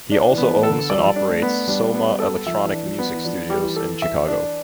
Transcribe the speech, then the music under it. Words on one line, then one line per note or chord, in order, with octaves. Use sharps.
He also owns and operates Soma Electronic Music Studios in Chicago.
D4
E3
B3
E3
A4
D3
G3 D5
F3
G3
D4
A3
B3
G3 D4
B3
A4
F3 E5
E3
D4
F3
B3
E3
F3 D4
G3
E3
A4
E5
D4